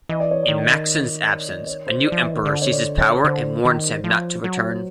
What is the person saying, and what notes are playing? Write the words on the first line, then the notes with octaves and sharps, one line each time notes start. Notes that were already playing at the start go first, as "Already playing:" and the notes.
In Macsen's absence, a new emperor seizes power and warns him not to return.
E3 D#5
D5
C#5
D5
D#3
C#5
C5
D5
F3
E3 D#5
D#3
D3 D5
C#5
D5
C#5
D3 C5
D#3
F3
F#3